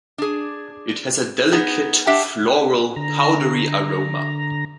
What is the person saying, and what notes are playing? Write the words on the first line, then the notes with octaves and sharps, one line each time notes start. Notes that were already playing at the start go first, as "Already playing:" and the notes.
It has a delicate, floral, powdery aroma.
D4 G#4
B3 D#4 G#4
D4 G4 E5 F#5 A5
D3 A#5